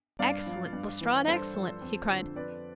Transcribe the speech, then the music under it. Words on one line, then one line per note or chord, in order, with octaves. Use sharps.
"Excellent, Lestrade, excellent!" he cried.
G2 D5 F5
F3
G2
E3
G2 A4 C5
F3
F2
D3 F3
F2 B4 D5